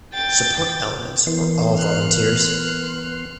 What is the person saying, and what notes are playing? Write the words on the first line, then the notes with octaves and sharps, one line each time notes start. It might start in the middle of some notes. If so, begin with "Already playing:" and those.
Support elements were all volunteers.
G5 A6
E3 B3 A#4 C6
F6 F#6